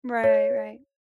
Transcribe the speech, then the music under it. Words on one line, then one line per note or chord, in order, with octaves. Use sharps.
Right, right.
C#5